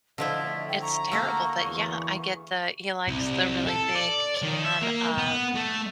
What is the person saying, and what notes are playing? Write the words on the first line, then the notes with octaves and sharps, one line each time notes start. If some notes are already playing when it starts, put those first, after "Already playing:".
it's terrible. But, yeah, I get the he likes the really big can of,
D3 F3 E4 D#5
A3
G5
A#5 C#6
A3 A#3 F#4
E2
C2
A4
D5
D#3
E5
A#3
B3
A3